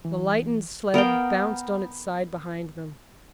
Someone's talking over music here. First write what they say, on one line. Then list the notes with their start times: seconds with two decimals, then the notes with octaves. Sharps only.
The lightened sled bounded on its side behind them.
0.05 E3
0.94 B3 A#4 F5 G5